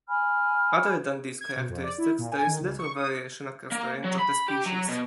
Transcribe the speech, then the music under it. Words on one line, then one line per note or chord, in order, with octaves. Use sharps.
Other than these characteristics, there is little variation across the range of the species.
G#5 B5 F6
G#6
B2
F2
D5
E4
A#2
G#5
D#3
C#2
C#6
D#6
A#3
F#3
B5
G4
F#3
B2